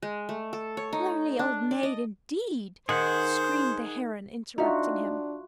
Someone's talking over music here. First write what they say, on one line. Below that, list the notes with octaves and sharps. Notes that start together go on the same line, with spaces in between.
"Lonely old maid, indeed!" screamed the Heron interrupting him.
G#3
A3
A4
C#5
D#4
D4
D5
D#5
D#3 G#4 C5 F#5
D4 D#4 F4 F#4 E5 A#5